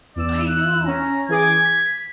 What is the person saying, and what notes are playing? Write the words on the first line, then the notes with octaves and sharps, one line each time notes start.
I know.
E2 D5 E6
F#6
C#4 A#5
E3 G#4 D6 G#6
B6